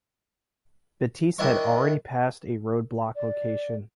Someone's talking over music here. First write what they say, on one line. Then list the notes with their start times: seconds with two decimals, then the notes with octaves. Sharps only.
Batisse had already passed a roadblock location.
1.38 D#3 D4 E4 C#5 D#5 C#6
3.16 D5